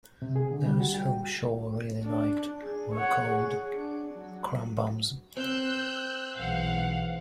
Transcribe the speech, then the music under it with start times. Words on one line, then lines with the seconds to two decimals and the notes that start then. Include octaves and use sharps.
Those whom Shor really liked were called "crum-bums".
0.22 C3
0.36 G#4
0.51 D3
0.65 G3
0.80 F#4
0.95 G5
2.03 D4
2.60 G#4
2.94 C#5 F#5
3.26 G#4
3.76 D4
4.14 F#3
5.37 C4 E6 F#6 G6
6.36 B1 E3 G#3 F5 F#5